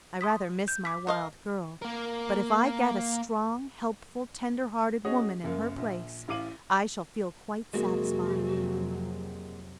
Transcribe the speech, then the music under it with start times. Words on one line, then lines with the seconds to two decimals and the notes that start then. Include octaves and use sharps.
I rather miss my wild girl, but if I get a strong, helpful, tenderhearted woman in her place, I shall feel quite satisfied.
0.21 C6 D#6 B6
0.68 G6
0.85 D6 B6
1.07 A#4 D#5 F5
1.82 A#3 A#4
5.05 C#4 F#4 G#4 C#5 D#5
5.44 F#1 F#2 A#3
5.78 A#1
6.28 A1 E4 F5 D6 D#7 F#7
7.73 F2 C3 F#3 G#3 A#3 F#4 G#4